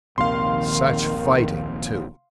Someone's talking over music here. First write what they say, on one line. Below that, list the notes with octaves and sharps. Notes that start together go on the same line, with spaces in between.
Such fighting, too!...
A#1 D#2 C3 D#3 F5 C6